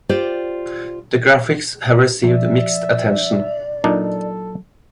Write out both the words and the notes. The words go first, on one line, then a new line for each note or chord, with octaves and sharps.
The graphics have received mixed attention.
F4 G4 C5 D5
F3 D5 E5
A#2 F#3 D4 D#4 A4